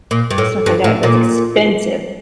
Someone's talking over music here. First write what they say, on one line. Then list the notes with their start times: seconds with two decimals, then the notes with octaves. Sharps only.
stuff like that, that's expensive.
0.11 A#2
0.31 G2
0.38 A2
0.66 G2
0.84 A2
1.03 A#2